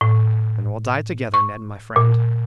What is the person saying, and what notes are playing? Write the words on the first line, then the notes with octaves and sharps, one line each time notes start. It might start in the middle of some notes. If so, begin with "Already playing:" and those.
"Then we'll die together, Ned my friend."
A2
C#6
A#2